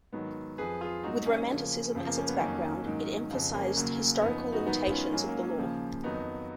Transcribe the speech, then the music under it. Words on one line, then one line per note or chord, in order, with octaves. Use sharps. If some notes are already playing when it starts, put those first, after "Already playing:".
With Romanticism as its background, it emphasized the historical limitations of the law.
G#2 D#3 F#3 B3
F2 F3 G#4 B4
F4 G#4
G#2 F#3 D#4 F#4
A#3 C#4
D#2 C#3 F3
F#2 C#3 F3
A#3
A#3 C#4
B3
F2 D#3 F#3 A#3 C#4
G#2 D#3 F#3
F2 C#3 F3
A#3 C#4
D#2 C#3 F#3
F#2 F3 B3 D#4
D#4 F#4
G#2 D#3 F#3 B3 D#4
C#4 F4
G#2 F#3 A#3 C#4
A#3 C#4
A#3 C#4
D#2 C#3 F3
F2 D#3 F#3 B3 D#4